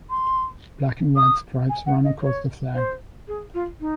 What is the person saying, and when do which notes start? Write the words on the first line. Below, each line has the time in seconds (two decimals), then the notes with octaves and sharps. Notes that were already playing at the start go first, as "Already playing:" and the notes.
Black and white stripes run across the flag.
0.10 C6
1.16 D#6
1.69 G#5
1.86 F#5
2.04 D#5
2.22 C#5
2.75 C5
3.28 G#4
3.54 F4
3.81 D#4